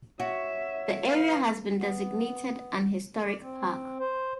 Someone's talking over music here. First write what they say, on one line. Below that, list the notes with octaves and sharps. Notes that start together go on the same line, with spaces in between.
The area has been designated an historic park.
F#4 C#5 E5
B4 F5
B3
D5
C4
C5